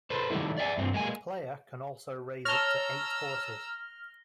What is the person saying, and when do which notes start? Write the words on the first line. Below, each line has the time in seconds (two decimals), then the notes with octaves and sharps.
The player can also raise up to eight horses.
0.10 A4 B4 C5
0.30 D#3 G3 A3 B3 E4
0.58 D5 E5 G5 G#5
0.78 G2 C4
0.94 G#3 A#3 G#5
2.45 C#5 A5 A#5 E6 F6 A#6 G7